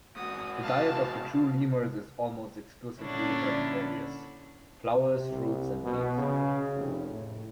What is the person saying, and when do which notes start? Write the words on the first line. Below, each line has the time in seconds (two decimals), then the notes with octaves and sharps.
The diet of the true lemurs is almost exclusively herbivorous: flowers, fruits and leaves.
0.16 G#2 F#4 D#6
0.60 F5 A5
3.00 A#2 D3 C#4 D4 E4
4.95 C3
5.30 C2
5.84 B2
6.18 C#3
6.75 F1
7.10 A2